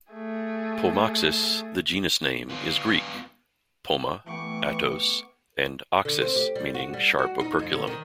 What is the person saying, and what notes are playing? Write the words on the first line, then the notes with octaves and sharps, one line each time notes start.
"Pomoxis", the genus name, is Greek: "poma, -atos" and "oxys" meaning sharp operculum.
A3 G#4
B3 F4
E3 A3 B3 G4 C#6 D6
D3
C4
G4
G3
F#4
G3
F#4
D#4
F2
D3
D#3